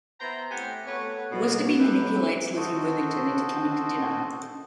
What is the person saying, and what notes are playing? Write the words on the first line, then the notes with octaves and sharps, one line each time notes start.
Westerby manipulates Lizzie Worthington into coming to dinner.
B3 E4 C5 G5 A#5
A2 C4 G4 F#5 G#5
A3 B3 F#4 B4 C#5
B2
A3 D#4 E4 G4 B4
F#4 A4 C5 D#5